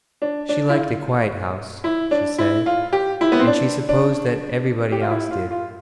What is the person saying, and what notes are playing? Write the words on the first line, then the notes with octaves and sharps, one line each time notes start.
She liked a quiet house, she said, and she supposed that everybody else did.
D4
D4
E4
F4
E4
D4
E4
F4
G4
E4
B3
C4
D4
D4
G4
F4
E4
F4
F4